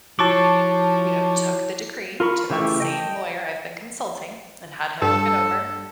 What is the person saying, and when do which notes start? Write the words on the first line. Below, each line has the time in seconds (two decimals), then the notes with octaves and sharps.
you know, took the decree to that same lawyer I've been consulting, and had him look it over,
0.19 F3 E4 F#4 C#5 A5 C#6 D6
2.20 F4 A#4 B5 C#6
2.50 C#3 E3 A3 G4 C#6
2.80 D#5 G5 A5
5.02 G2 A4